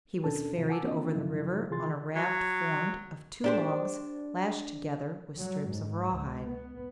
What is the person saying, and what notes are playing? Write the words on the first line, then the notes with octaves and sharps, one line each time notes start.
He was ferried over the river on a raft formed of two logs lashed together with strips of rawhide.
D#2 B2 C#4 D4 A4 A5
G#2 C3 F3 F4
F#5 G#5 A5 D6 E6
A#3 C4 D4 F4 D#5
G2 C#3 F3 F#3 D#4 E4
C3 E3 F4 G#4 C6 A6
F#3
D4 G4 C5
F#3
G#2
C#2
B3